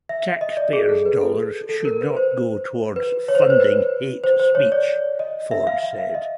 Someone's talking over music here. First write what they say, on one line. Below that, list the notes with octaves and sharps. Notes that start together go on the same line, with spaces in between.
"Taxpayers dollars should not go toward funding hate speech," Ford said.
E5
D#5
D5
G#4
A4
B4
A4
A4
A4
A#4
B4
C5
B4
C#5
C5
B4
C5
B4
C5
C5
C#5
D5
D#5
E5
F5
F5
E5
D#5